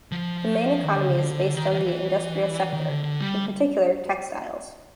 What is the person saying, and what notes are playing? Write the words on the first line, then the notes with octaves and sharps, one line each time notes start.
The main economy is based on the industrial sector, in particular textiles.
F3
D#3
D3
C#3
D3
D3
D#3
E3
D#3
D3
D3
G3